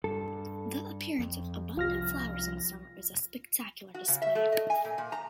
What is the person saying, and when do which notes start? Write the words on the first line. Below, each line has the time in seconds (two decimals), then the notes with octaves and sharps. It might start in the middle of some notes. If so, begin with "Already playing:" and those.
The appearance of abundant flowers in summer is a spectacular display.
0.04 G2 A4
1.19 F2
1.77 C2 F3 F4 F6 A#6
3.94 F#4
4.08 C#3
4.22 E5
4.35 A3
4.52 D#5
4.70 G#5
4.85 A#2
4.98 A#2
5.12 A#5